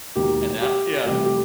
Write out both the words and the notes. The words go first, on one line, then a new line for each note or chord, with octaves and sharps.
and that yeah.
E1 D#2 D#3 F#3 A#3 G4
G4
F1 F2 C3 E3 G3 G4
G4